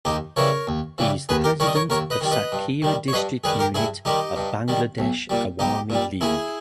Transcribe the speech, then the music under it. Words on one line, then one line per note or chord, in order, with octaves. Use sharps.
He is the President of Satkhira District unit of Bangladesh Awami League.
D#2 D#4 G4
C#3 E3 G3 A#4 C#5
D#2
C#3 E3 G3
D#2 G#4 B4
G4 A#4
D#3 G3 A#4 C#5
D#5
A#4 C#5
D#2 A#4 C#5
B4 D#5
D#3 G3
B4 D#5
G2
D#3 G3
C#5
G2 B4 D#5
D#3 G3 G#4 B4
G4 A#4
G2 E4 G#4
D#3 G3 D#4 G4
G2
D#3 G3
B1
A#2 G3
B1 D#4 G4
A#2 G3
D#2 E4 G#4